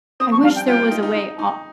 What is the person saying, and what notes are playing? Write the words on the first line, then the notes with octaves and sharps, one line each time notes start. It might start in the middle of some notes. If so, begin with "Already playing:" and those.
I wish there was a way al
C4 D#6
F3 C#6
G3 F5
G5
F4 G5
F4
D#4
D#4
D#4
D#4